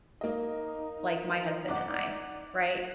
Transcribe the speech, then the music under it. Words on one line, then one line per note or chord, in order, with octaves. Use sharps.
like my husband and I, right?
A#3 D#4 D#5
D5 F#5 D6